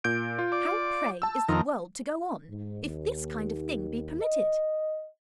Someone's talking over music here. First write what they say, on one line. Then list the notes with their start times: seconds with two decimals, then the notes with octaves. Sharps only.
How, pray, is the world to go on, if this kind of thing be permitted!
0.04 A#2 G6 D7
0.39 F4
0.52 D5
1.22 A5 E6
1.48 F2 D#3 A#4
2.49 G#2
2.82 D#2
4.21 D#5